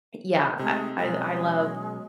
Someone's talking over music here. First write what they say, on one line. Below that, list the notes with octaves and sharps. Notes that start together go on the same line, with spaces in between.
yeah, I I I love
C3 G#3 A3 C4 D#4
B2 F#3 G#3 C#4